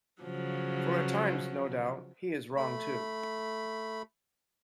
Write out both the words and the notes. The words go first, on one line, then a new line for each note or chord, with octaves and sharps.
For at times, no doubt, he is wrong too.
C#3 F3 F#3
A3 B5